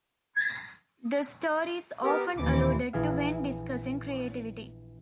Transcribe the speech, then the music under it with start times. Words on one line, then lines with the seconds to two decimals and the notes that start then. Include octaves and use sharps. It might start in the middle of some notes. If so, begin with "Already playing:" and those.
The story is often alluded to when discussing creativity.
2.04 B3 G4 A#4
2.38 D#2 A#2 E3 D6
2.93 A#1 E3 G#4 F5